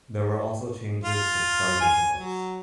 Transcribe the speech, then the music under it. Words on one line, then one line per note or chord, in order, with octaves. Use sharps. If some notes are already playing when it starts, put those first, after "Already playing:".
There were also changes to the Stargate device.
F4
G#5
F#3